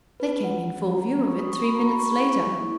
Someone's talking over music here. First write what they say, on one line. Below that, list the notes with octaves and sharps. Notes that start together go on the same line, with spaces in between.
They came in full view of it three minutes later.
C#4 G#4 B4
F#5
C#4 G#4
A#5
B3 F#4 B5
C#6
D#6
C#6
B3 F#4 B5
A#5
B5
C#6
A#3 E4 G#4
A#3 E4 G#4